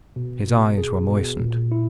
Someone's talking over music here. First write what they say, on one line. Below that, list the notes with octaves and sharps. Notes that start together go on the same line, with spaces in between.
His eyes were moistened.
B2
B2
G#4
B2
A#2
E4